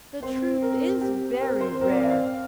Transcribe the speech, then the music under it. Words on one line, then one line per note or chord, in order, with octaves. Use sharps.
The truth is very rare.
C4 C5
A#4
G4
C4 A#4
C5
C4 A#4
D5
F5
F5